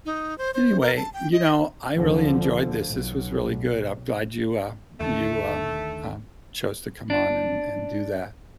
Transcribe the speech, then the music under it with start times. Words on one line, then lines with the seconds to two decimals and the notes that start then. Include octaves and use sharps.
Anyway, you know, I really enjoyed this. This was really good. I'm glad you, uh, you, um, um, chose to come on and and do that.
0.06 D#4
0.38 C5
0.54 C5
0.81 A#4
0.97 A5
1.14 G5
1.33 D#5
1.94 D2 D3 F3
2.87 B1
5.00 D#2 D3 D#3 A3
7.10 D4